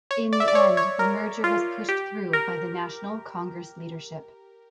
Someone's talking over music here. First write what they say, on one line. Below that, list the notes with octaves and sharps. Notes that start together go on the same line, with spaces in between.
In the end the merger was pushed through by the national Congress leadership.
C#5
D5
E5
D5
C#5
C#5
A#4
F4
G4
A#4